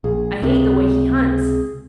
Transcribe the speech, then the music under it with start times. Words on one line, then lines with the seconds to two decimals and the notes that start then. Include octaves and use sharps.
I hate the way he hunts!
0.04 A#1 G#4
0.42 C#2 C3